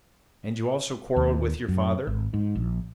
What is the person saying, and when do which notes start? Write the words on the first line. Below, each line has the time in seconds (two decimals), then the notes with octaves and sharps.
"And you also quarreled with your father?"
1.16 D#2
1.68 F#2
2.07 G#1
2.34 G#2
2.55 A#1